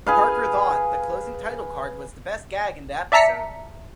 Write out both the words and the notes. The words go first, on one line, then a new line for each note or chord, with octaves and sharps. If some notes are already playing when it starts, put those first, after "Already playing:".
Parker thought the closing title card was the best gag in the episode.
G#4 B4 F5
D5 E5 A5 A#5 B6 C#7